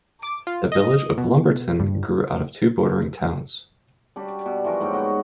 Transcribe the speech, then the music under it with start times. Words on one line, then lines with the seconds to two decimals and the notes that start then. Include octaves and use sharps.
The village of Lumberton grew out of two bordering towns.
0.23 D6
0.47 F4
0.72 D#5
1.18 B2
1.80 G2
4.16 G3 D4 F#4 G4
4.46 B2
4.64 E3 F3 F#4 A#4
4.80 G#2 A#3 C#5 G5
4.93 B3 F#4 D#5 A#5